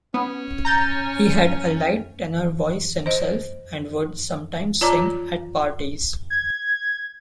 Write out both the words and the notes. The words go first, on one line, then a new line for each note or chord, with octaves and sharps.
He had a light tenor voice himself and would sometimes sing at parties.
B3 C#4
A#5 G6 A6
C5 D#5
F4 C#5 D5 A5 A#5 D6
G#6